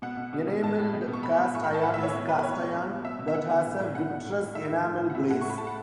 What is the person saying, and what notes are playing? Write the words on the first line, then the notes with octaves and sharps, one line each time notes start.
Enameled cast iron is cast iron that has a vitreous enamel glaze.
B2 F#5
B2
B2
B2
A2 A5
A2
B2
B2
C#6
B2 B5
B2
A2 C#6
B5
A2
A5
A2 F#5
E5
A2 C#5
B2
B2 B4
B2 C#5
B2
B2
B2
B2 E5
B2
E5
B2 F#5
B2
A2
A2
B2 F#5
B2
A2
A2
A2 E5
A2
A2
A2
F#5
A2 E5
A2 F#5
C#6
A2 B5
A2 A5
F#5